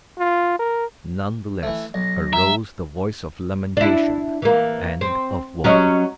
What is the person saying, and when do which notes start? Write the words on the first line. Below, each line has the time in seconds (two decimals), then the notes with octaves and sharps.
None the less arose the voice of lamentation and of woe.
0.19 F4
0.59 A#4
1.63 E3 A3
1.94 B1 A#6
2.33 E5 A#5
3.77 D4 E4
4.42 E3 A#3
5.01 C4
5.64 F#3 C#4 D#5